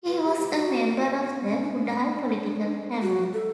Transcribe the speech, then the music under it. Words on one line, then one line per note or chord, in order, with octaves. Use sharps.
He was a member of the Udall political family.
B4
G4
G4
F#4
B3
C#4
B3
C#4
D4
C#4
D4
F#4
A4